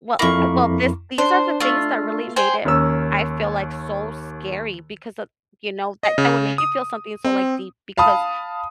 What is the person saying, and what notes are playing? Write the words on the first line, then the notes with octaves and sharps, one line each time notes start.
well, uh, well, this these are the things that really made it I feel, like, so scary because of, you know that that would make you feel something so, like, deep, because
F2 A#3 E4 B5 C#6
D4 C5
A3 F4
G#4 C5 G5
D#2 A#3 C#4 E6
D#5
C#3
D#6
C4
F5 A5 B5 D#6